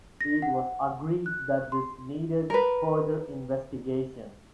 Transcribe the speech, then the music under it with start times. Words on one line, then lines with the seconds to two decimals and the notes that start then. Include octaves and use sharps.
It was agreed that this needed further investigation.
0.21 A#6
0.42 F#5
1.26 F#6
1.72 C6
2.50 A#4 B4